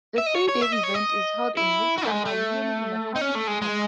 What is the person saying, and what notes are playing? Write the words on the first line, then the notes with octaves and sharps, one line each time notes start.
The three-day event is held in mid-summer, usually in a public park.
E5
D#5
C#5
C#5
E5
D#5
C#5
D#5
E4
F#4
A3
G#3
A3
D#4
C#4
A3
G#3
G#3